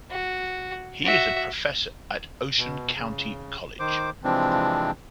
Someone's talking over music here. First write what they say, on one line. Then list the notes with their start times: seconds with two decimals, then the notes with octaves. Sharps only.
He is a Professor at Ocean County College.
0.11 F#4
1.05 F#4 E5
2.58 B2
2.97 C#3
3.80 D#3 C5 D6
4.24 C3 E3 F3 G#3 C4 D4